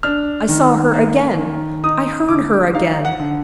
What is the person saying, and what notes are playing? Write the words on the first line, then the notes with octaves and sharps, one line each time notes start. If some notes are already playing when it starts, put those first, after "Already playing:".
I saw her again; I heard her again.
D4 F6
D#3
A#3
D#3
D#4 D#6
D3 D6
D#4 F5
F#5
D3